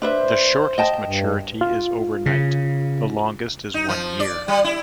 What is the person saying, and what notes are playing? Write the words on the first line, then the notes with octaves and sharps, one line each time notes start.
The shortest maturity is overnight, the longest is one year.
D4 B4 C5 E5
D#5 G5 A5
G2
F4
C#3
D#4
F3
D5
G3
E4